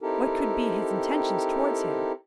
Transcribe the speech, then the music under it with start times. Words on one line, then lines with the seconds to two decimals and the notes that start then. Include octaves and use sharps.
What could be his intentions towards him?
0.01 C4 D#4 E4 G4 A4 A#4